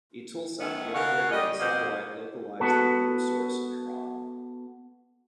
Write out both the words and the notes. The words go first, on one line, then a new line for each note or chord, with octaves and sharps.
Eutelsat, the operator of the satellite localised the emitter source in Iran.
D#3 A3 B3 C#4 D#4
C#3 A#4 C#5 F5 F#5
G3 D#5
F2 B2 A#3 C5 D#5
B3 F#4 A4